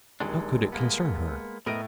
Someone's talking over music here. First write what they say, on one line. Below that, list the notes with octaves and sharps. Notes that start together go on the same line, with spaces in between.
How could it concern her?
D#1 D#3 G#3 D4
G#3 A#3 B3
A2 B3 A#4 D#5 D7